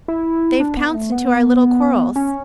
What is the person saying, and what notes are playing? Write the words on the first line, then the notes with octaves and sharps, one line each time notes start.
They've pounced into our little quarrels....
E4
D4
B3
A3
B3
C#4